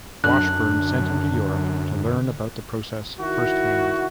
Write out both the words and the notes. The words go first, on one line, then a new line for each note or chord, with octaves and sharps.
Washburn sent him to Europe to learn about the process firsthand.
F#2 D3 D4 F#6
D#3 E4 F#4